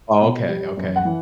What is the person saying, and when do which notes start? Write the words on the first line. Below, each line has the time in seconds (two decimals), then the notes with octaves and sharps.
Oh, okay, okay.
0.21 B2
0.49 G3
0.77 F#2
0.96 F#5
1.05 E3